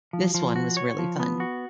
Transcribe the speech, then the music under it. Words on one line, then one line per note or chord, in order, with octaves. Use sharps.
This one was really fun.
F3
F3
F#4
C#5
F3
B3
F#4